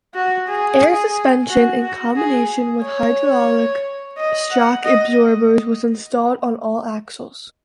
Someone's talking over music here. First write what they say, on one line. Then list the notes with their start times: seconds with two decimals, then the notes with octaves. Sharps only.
Air suspension in combination with hydraulic shock absorbers was installed on all axles.
0.15 F#4
0.48 G#4
1.49 F#4
1.82 F#4
2.16 G#4
2.83 C#5
4.18 D#5
4.51 F#5
4.85 D#5